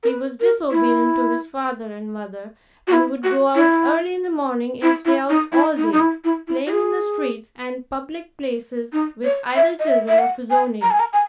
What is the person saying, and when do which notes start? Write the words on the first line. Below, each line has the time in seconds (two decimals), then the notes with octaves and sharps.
He was disobedient to his father and mother, and would go out early in the morning and stay out all day, playing in the streets and public places with idle children of his own age.
0.03 A#4
0.08 B4
0.40 A#4
0.71 E4
2.87 F#4
2.93 E4
3.24 F#4
3.55 E4
4.82 E4
5.05 E4
5.30 D#4
5.52 E4
5.77 D#4
5.84 E4
5.92 D#4
6.00 E4
6.24 E4
6.47 E4
6.67 F#4
6.71 G#4
8.93 D#4
9.24 C#5
9.55 E5
9.79 D#5
9.87 E5
10.08 E5
10.19 F#5
10.50 G#5
10.82 A#5
10.91 G#5
11.00 A#5
11.13 G#5